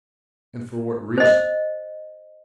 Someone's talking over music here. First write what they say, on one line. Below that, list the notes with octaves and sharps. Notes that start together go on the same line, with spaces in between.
"And for what reason?"
C5 D#5